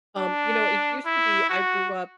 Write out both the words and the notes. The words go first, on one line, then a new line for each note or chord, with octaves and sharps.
um, you know it used to be I grew up,
D4
E4
F#4